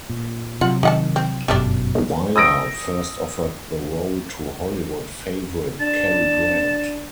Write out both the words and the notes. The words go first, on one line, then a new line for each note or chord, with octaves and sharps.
Wyler first offered the role to Hollywood favorite Cary Grant.
A#2
C3 F#3 F4 F#5
D#3 D#4 F#5 A5
C4
G1 F#2 B2 G3 A3 D4
D#6 E6 A#6 D7
D4 A5